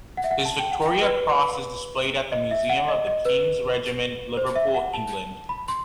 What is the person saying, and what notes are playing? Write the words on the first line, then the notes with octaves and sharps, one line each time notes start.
His Victoria Cross is displayed at the Museum of the King's Regiment, Liverpool, England.
F#5
E5
F#5
A5
G5
F#5
G5
B4
D#5
E5
F#5
D#5
D#5
B4
C5
E5
F#5
A5
B5
C6